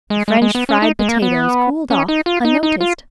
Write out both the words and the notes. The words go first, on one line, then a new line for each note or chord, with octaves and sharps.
The French fried potatoes cooled off, unnoticed.
G#3
G#3
G#3
B3
C#4
D#4
G#3
A#3
B3
C#4
D#4
F4
D#4
D#4
F4